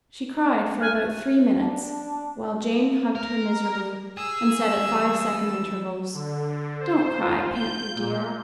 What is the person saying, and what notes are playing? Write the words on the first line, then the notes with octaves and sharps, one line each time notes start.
She cried for about three minutes, while Jane hugged her miserably and said at five-second intervals, 'Don't cry, Panther dear!'
G#5 F6 F#6
D4
A#4
G#4 E6
E3 G3
D3
C5
F4
G6
A#2